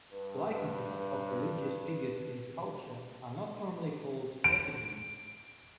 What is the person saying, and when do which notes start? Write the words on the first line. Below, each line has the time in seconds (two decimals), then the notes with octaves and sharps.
Likenesses of religious figures in sculpture are not normally called effigies.
0.12 G2 B4
4.44 D7